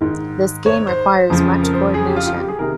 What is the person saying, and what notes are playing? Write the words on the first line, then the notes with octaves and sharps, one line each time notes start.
This game requires much coordination.
G#2 D#3
C#5
C5
F2 C#3 F3
A#4
C5
G#4
G4
F4
F4
G4
G#4
C3 D#3 A#4